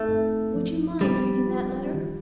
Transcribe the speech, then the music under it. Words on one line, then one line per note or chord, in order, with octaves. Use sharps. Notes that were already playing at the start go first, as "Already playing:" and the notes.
Would you mind reading that letter?
Already playing: A3 C4 D#4
G2
F3
G3 D4
F4
D#3